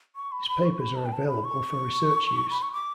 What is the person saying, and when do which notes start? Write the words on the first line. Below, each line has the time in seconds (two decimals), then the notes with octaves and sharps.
His papers are available for research use.
0.16 C#6
0.32 B5
0.48 B5
0.64 C#6
0.80 B5
0.96 A5
1.06 G5
1.13 A5
1.28 B5
1.44 C#6
2.51 B5
2.62 C#6
2.73 D6